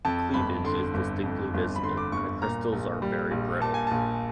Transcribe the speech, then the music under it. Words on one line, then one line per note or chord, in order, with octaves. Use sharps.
Cleavage is distinctly visible, and the crystals are very brittle.
F2 A5
G1 B5
D3 C6
G1
F2
G1
B5
D3 C6
D6
G1 C#6
A#2 A#5
A#1
G3
A#1
A#2 A5
G#5
A#1 A5